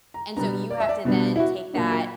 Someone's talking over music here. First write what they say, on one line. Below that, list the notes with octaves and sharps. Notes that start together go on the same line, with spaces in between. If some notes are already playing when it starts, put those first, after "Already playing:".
and so you have to then take that
A#5
B2 G3 B3 D4 A#5
D5
E5
D5
B2 G3 B3 D4
E4
F#4
A#2 F#3 A#3 D4
A#4